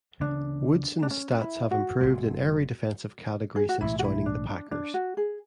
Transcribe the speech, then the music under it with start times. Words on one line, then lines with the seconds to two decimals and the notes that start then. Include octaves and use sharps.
Woodson's stats have improved in every defensive category since joining the Packers.
0.20 D2 C#3 E3 B3 D4
1.03 D4
1.11 C#4
1.41 E4
1.71 F#4
2.01 F#1 E2 C#3 G#3
3.56 G#4
3.69 F#4
3.81 B1 A2 E3 G#3 E4
3.99 F#4
4.04 E4
4.26 D4
4.49 D4
4.71 D4
4.94 F#4
5.17 G#4